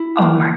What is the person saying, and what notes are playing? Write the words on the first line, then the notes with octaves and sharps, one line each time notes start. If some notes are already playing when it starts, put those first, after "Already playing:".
Oh my
Already playing: E4
A#3